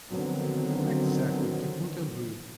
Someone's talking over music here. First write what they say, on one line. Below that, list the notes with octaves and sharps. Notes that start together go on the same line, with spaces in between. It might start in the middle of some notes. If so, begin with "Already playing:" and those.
"Exactly; to Fontainebleau."
D3 D#3 F3 F#3 B3 C4